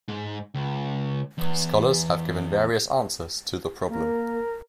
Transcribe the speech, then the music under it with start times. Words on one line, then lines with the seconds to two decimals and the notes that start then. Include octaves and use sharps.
Scholars have given various answers to the problem.
0.08 G#2
0.55 C#2
1.38 E2
3.90 A#3 A#4